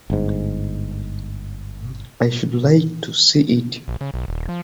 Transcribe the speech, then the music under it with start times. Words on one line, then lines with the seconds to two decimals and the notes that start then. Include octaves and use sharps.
I should like to see it.
0.10 G1 G#2
3.88 A#1
4.01 C#3
4.14 B1
4.28 D#1
4.49 F3